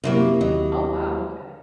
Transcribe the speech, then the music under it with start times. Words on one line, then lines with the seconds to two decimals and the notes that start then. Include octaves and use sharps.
Oh, wow, okay.
0.04 F#2 C3 F#3 A#3 E4 G4
0.41 D#2 F#3 D#5